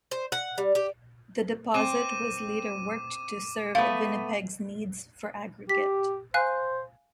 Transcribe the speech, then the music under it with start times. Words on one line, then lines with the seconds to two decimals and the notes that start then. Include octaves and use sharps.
The deposit was later worked to serve Winnipeg's needs for aggregate.
0.11 C5
0.32 F#5
0.58 G3
0.75 G4
1.74 C4 D6 D#7
3.75 A3 B3 F5
5.69 G4 B6
6.34 C5 F5 G#5 F#6